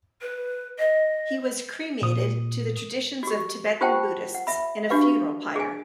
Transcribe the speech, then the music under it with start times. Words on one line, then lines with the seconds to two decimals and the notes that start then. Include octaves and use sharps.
He was cremated to the traditions of Tibetan Buddhists in a funeral pyre.
0.22 B4
0.79 D#5
2.02 A#2 D#6
3.23 F#4 G4
3.81 F4 G4 C5 F#5 G5 A5
4.34 F#5
4.47 E5 B5
4.90 D4 F#4 G4 B4 F5
5.56 G#4 G#5